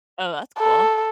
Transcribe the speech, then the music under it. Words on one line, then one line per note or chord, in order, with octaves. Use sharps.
Oh, that's cool.
A4